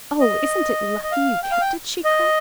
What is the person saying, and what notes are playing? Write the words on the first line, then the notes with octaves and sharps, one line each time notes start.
"Oh, isn't it lucky you kept it?" she cried.
D#5
D#5
F5
G5
F5
G5
D#5